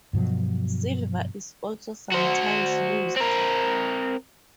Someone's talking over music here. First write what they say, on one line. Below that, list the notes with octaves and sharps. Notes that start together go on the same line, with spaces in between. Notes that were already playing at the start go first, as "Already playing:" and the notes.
Silver is also sometimes used.
G2 B2 F3 F#3
F#4 C5
C4 A#4